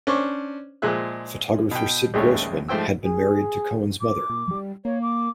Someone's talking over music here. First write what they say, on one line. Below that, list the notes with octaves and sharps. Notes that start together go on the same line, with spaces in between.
Photographer Sid Grossman had been married to Cohen's mother.
C#4 D4 C5 C#6 D6
A#2 F3 G#3 G#4 E5 F#6
B2 G5
A#1 D#2 G#3 A3 C#4 C#5
G#2 F3 A3 C5 G5 E6
G#4
D6
A#2
G3
A#3 C#5
D6